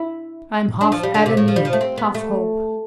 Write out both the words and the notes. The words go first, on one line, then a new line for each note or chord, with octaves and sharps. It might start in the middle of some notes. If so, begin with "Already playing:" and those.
I am half agony, half hope.
Already playing: E4
D4
F3
G3
D3
C3
A2
F3
G3
F3
A3
C4
B3
A3